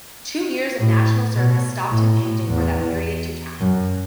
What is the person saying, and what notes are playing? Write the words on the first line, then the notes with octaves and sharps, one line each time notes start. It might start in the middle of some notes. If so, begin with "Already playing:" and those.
Two years of national service stopped him painting for that period to time.
A2
B2
A2
A2
E2
F#2